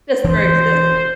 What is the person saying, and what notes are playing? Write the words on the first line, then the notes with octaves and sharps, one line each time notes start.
Just for existing.
E1 E3 D4 C5